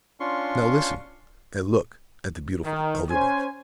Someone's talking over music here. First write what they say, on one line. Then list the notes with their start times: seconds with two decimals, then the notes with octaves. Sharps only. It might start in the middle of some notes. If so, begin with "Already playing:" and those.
Now listen, and look at the beautiful Elderbush.
0.20 C#4 D4 F4 C6 C#6
2.64 D#3
3.11 C#4 C5 G#5